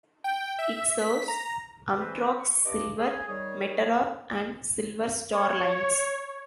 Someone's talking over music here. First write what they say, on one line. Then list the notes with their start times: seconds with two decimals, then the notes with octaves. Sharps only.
It serves Amtrak's "Silver Meteor" and "Silver Star" lines.
0.24 G5
0.59 E5
0.98 B6
1.28 A#5
1.97 C3 E3 C4 B4
2.39 C#6
2.65 G2 D#5 D6
2.97 G#4
3.28 D#3 G3 G#4 C#5
5.32 C#5